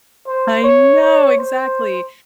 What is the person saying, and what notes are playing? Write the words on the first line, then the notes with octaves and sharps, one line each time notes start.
I know, exactly.
C5
C#5
C#5
C5